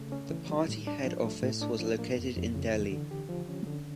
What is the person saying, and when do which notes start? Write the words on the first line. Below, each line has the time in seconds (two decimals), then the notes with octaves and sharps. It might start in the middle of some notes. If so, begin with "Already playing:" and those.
The party head office was located in Delhi.
Already playing: C#3 A3
0.12 C#4
0.30 E3
0.49 G3
0.68 A2
0.87 D4
1.05 F3
1.25 A3
1.43 A2
1.61 D4
1.80 F3
1.99 A#3
2.18 F2
2.36 F2
2.54 C#3
2.73 E3
2.92 D3
3.11 G4
3.29 F3
3.49 C#4
3.67 D3